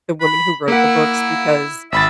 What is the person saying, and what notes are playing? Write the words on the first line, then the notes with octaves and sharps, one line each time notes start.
the woman who wrote the books, because
B5
A#3 E4 F#5
G#1 E5 B5 A6